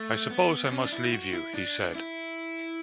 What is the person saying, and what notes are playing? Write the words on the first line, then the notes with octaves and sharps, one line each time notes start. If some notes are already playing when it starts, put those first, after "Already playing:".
"I suppose I must leave you," he said.
Already playing: A3
B3
B3
C#4
D4
E4
F#4
E4
D4
E4